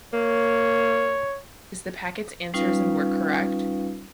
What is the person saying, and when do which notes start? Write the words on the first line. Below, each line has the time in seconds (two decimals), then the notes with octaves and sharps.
Is the packet’s answers and work correct?
0.13 A#3 C#5
2.54 G3 C#4 D#4 F4 B4 F5